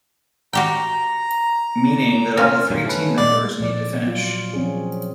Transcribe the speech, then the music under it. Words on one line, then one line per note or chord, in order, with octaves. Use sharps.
Meaning that only three team members need to finish.
F#4 G4 G5 A#5
C3 C#4 F4 A#4 F5 F6
G2 A#2 F#3
A3 C#4 B4
A#2 G#3 D5
A#2 F3 D5
F#3 F4
F3 C4 C#4 F4 G#4